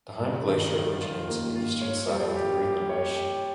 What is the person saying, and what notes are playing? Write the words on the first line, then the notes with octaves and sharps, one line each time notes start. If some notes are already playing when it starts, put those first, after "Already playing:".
The Heim Glacier originates in the Eastern side of the Greenland Ice Sheet.
G3
D#3
F4
F4
A#3
F4
C#5
G3
G4
G4
C#5
G4